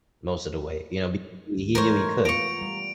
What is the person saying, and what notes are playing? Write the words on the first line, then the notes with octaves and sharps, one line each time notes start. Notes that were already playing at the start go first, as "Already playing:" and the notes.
most of the way, you know, he knew he could,
E3 G#3 A3 A#4 C5 C#5
B3 F4 A#5 C#6 D7 F7
G3